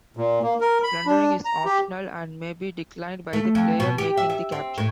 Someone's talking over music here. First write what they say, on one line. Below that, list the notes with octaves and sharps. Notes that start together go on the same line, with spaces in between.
Plundering is optional and may be declined by the player making the capture.
A#2
A#3
A#4
B5
D4
A#5
G4
A3
F2
B2
G4
E5
E5
C4
A2